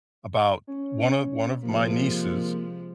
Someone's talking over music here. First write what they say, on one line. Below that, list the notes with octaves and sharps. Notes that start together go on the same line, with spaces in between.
about one of one of my nieces,
C#4
C3 F3 G#3 A#3